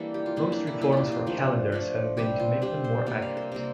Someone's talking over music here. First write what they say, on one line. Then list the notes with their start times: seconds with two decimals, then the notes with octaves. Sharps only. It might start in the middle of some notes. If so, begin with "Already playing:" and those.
Most reforms for calendars have been to make them more accurate.
Already playing: E3 G3 A#3 D4 A4
0.14 G4
0.26 F4
0.36 E3 A#3 D4 E4
0.52 D4
0.67 E4
0.81 E3 A#3 D4 E4
0.92 F4 G4
1.07 G4
1.12 F4
1.27 F3 A3 D4
1.72 F3 A3 D4
2.17 C3 G3 D4 G4
2.39 F4
2.62 C3 G3 D4 G4
2.84 C5
3.06 C3 G3 A#3 D5
3.22 F5
3.37 C5
3.52 C3 G3 A#3 A#4